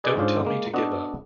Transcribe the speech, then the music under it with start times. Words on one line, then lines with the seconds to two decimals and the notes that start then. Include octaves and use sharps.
Don't tell me to give up.
0.04 G#4 B4 D5 D#5
0.17 G#2 C#4 D4 F4 A4 C5
0.45 G#3 A#3
0.73 B3 D4 F#4 A4 D#5